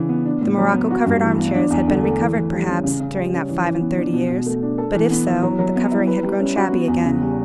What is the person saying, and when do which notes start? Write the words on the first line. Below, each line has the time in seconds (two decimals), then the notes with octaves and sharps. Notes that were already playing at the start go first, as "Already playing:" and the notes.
The morocco-covered arm-chairs had been re-covered, perhaps, during that five-and-thirty years; but if so, the covering had grown shabby again.
Already playing: C#3 E3 D4
0.09 B3
0.25 D4
0.42 A2
0.58 F#3
0.73 B3
0.91 F#4
1.06 G2
1.22 E3
1.39 B3
1.55 D4
1.70 E2
1.88 D3
2.03 A3
2.19 E3
2.36 E3
2.52 G3
2.68 C#4
2.84 C#3
3.00 C#3
3.17 G3
3.33 C#4
3.49 E3
3.64 E3
3.81 B3
3.97 D4
4.13 B2
4.29 B2
4.46 A3
4.62 D4
4.78 A4
4.94 E3
5.10 B3
5.27 E4
5.42 F#3
5.59 F#3
5.76 B3
5.92 E4
6.07 B4
6.23 G3
6.39 C#4
6.56 F#4
6.72 B3
6.88 E2
7.04 C#3
7.21 G3